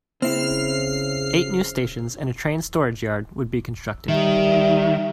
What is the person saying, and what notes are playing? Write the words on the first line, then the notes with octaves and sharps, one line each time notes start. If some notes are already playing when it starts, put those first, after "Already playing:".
Eight new stations and a train storage yard would be constructed.
C#3 C4 E4 F6 C7
D#3 G3 E5